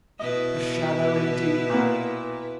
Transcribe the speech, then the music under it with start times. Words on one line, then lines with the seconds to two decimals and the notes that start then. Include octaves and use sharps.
A shadow indeed!
0.19 B2 E4 B4 D#5
1.70 A#2 A#3 B3